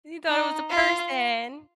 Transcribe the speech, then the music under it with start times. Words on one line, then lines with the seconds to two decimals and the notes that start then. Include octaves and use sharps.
he thought it was a person.
0.27 D#4
0.70 F4